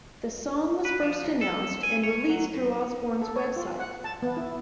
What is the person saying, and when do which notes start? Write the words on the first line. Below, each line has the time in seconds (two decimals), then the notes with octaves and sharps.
The song was first announced and released through Osbourne's website.
0.85 B4
1.03 F3
1.23 D#2
1.41 A4
1.83 G#5
2.03 C#5
2.30 F#3
2.54 F#2
3.21 A4
3.36 C#5
3.56 F4
3.79 F#5
4.04 A5
4.22 B3
4.37 E4